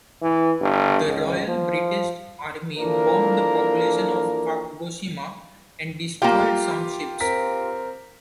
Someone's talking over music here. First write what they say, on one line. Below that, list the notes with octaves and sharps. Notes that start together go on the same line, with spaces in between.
The Royal British Army bombed the population of Kagoshima and destroyed some ships.
E3
G1
C#2
F3
E3 F3 A#3 D4 A4 A#4
A#3 F4 G4 F5 G5
C4 A#4 B6